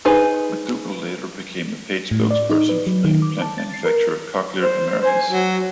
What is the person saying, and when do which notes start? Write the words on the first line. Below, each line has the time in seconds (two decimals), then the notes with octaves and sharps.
McDougald later became a paid spokesperson for the implant manufacturer, Cochlear Americas.
0.05 D#4 G#4 B4 C5
2.11 A2
2.31 D5
2.50 D#4
2.69 B4
2.87 F#3
3.04 D#3
3.22 D6
3.42 A5
3.58 A6
3.74 C7
3.85 A#4
4.61 C5
5.02 C5 G#5
5.31 F#3 F#4